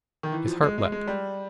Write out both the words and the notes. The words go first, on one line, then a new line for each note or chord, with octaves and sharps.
His heart leapt.
D#3
E3
F3
G#3
G#3
G#3
G3